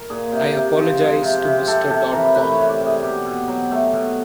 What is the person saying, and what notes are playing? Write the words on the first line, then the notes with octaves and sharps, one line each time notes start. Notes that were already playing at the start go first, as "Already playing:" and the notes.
I apologize to Mr Dotcom.
Already playing: A#4
A#2 G#4
C3
C3
F3
G#3
C3
C3
C3 A4
C3 A4
E3 A#4
A3 B4
C#5
C3
D5
C3
G#4
B2 G4
B2
F#3
A3
B2